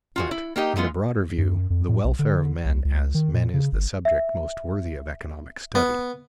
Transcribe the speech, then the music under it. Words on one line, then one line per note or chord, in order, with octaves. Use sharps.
But, in the broader view, the welfare of men as men is the subject most worthy of economic study.
F4 F#4 G#4
E4
A#3 D#4 G4 D#5
E3 G#3 B3 F4
F#2
F2
A2
B1
D3
C2
C#2
D#3
A#2
C#3
G1
E5
B3